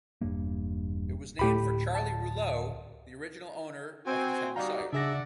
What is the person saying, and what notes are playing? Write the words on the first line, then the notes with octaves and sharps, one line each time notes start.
It was named for Charlie Rouleau, the original owner of the town site.
E1 G2 A#3
D1 A2 G4 B5
A5
C4 F#4 G#5
G3 D#4 F#4 F5 A#5
C#3 D4 G#4 D5 E5 F#5 A#6